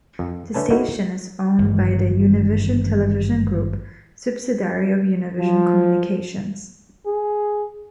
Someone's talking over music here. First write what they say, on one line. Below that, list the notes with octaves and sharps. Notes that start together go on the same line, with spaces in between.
The station is owned by the Univision Television Group subsidiary of Univision Communications.
F2
D3 A3 C#4 B4 A5
A3 A#3 D#4 E4 F#4
G#1 G2 E3 A#3
F3
G#4